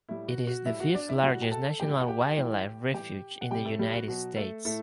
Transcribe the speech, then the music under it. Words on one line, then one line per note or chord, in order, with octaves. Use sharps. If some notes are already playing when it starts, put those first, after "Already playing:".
It is the fifth-largest national wildlife refuge in the United States.
A2 G3 E4
F#4
F#4
A2 G3 E4 E5
F#4 F#5
D4 D5
E4 E5
A2 G3 F#4 F#5
G5
A4 A5
A2 G3 G4 G5
F#5
G4 G5
A2 E3 G3
A2 E3 G3 G4 G5
F#5
C3 G3 G4 G5
A3 A4
G3 G4
F#4
B2 F#3 F#4
A3 A4
A2 A3 A4